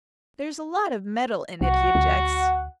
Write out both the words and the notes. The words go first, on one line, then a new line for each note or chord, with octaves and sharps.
"There's a lot of metal in it," he objects.
C2 F#4 F#5
D2